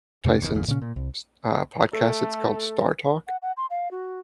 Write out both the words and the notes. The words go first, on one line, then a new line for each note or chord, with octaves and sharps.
Tyson's s uh, podcast, it's called "Star Talk"
F2 C3 A3 D4
F#1 E2 A#2 D#3
G1 E2 A#2
A#2 C#3 C#4
A#2
C2
A3 A4
F#5
F#5
C6
F5
F#4